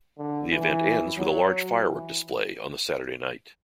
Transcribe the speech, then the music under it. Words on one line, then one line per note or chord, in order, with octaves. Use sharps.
The event ends with a large firework display on the Saturday night.
D3
E3
F#3
E3